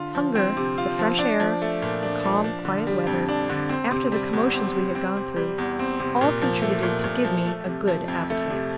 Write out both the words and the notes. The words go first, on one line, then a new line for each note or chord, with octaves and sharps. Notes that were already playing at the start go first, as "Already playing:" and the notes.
Hunger, the fresh air, the calm quiet weather, after the commotions we had gone through, all contributed to give me a good appetite.
Already playing: D3 F4
F3
C4
C3
F4
F3
D4
F3
A3
A#2
D4
F3
D4
D3
G3
F2
D4
D3
C4
C3
G3
E2
C4
C3
C4
C3
G3
E2
C4
C3
A#2
F3
A3
A#2
A#2
F3
A3
C3
F3
F2
A3
C3